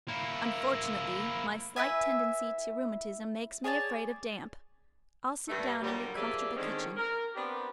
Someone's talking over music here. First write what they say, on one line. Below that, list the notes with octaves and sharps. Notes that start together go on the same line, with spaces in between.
Unfortunately, my slight tendency to rheumatism makes me afraid of damp: I'll sit down in your comfortable kitchen.
A#3 E4
E4 B4 E5 G#5
G#4 C#5 D5 A5
G2 A3
A#2 D3 F#3 G3
A#2 F3 G4 G#4 D5 E5
D3 D#3 G#3 C4 C#4
A#4
B3 C4 D4 G4